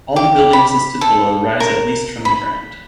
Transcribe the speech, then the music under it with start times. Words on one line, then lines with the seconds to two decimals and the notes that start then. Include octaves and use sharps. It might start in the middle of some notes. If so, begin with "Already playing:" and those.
All the buildings listed below rise at least from the ground.
0.16 G4
0.53 B5
1.01 A4
1.60 A#4
2.25 B5